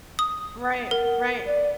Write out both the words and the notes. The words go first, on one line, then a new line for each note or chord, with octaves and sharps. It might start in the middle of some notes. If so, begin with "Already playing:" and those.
Right, right.
D#6
A#4 F#5
D5